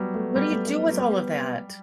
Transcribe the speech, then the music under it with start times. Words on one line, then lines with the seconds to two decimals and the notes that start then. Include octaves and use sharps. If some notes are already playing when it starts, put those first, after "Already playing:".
What do you do with all of that?
Already playing: F#3 G3 B3
0.14 A3
0.36 G3
0.51 A3
0.67 A3
0.87 F#3
0.98 G3